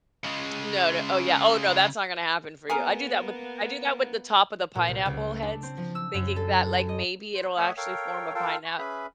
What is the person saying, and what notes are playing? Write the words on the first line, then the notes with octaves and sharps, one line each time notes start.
No, no oh yeah oh no, that's not gonna happen for you. I do that with I do that with the top of the pineapple heads, thinking that, like, maybe it'll actually form a pineapp
C#3 G#3
A#3 B3 G#4 A#4
A#2
C2
C#2
D4
C4
F3
E6
F#2
A4
D#5
C5
A3 C#5 E5 F#5 D#6
A4 A#4 C#5 F5 G5
F4 A4 A#4 F5 G5 A5
G#5 C#6
C#4 G#4 B4 E5 B5